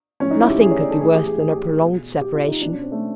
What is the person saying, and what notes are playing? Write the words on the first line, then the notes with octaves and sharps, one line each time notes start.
Nothing could be worse than a prolonged separation.
A2 F3 C#4
D#4
E4
G4
G#4
C#5
D5
A4
A2 E3 G#4
G4
G#4
G#4
G4
G#4
B2
G4
F4
D#4
B2 D4
C#4
C4
A3